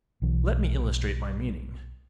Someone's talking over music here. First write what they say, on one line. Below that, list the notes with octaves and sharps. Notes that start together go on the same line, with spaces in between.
Let me illustrate my meaning.
B1 E3